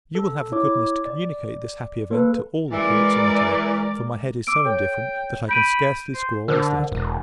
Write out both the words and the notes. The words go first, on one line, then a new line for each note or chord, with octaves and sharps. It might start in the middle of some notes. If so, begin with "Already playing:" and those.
You will have the goodness to communicate this happy event to all the courts in Italy; for my head is so indifferent, that I can scarcely scrawl this letter.
A4
E4 C#5 D6
D5
A#3 A4 B4
E3 G#3 A#4 D5
D6 E6 D7
A4 C#5 G5
B5 G6 D7 D#7
C5
D3 A#4 C5 D#6
E1